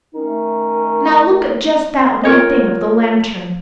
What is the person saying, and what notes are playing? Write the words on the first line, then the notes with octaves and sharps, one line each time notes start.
Now look at just that one thing of the lantern.
D#3 A3 C#4 D#4
F4 A#4 C#5 D#5